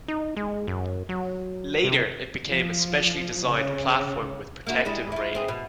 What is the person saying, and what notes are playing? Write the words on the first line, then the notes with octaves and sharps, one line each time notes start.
Later, it became a specially designed platform with protective railing.
D#4
G#3
F#2
F#3
C3
F3
C#3
A#3 E4 F#4
G3 G#3 E4
E4 F4
C4 G#4
B2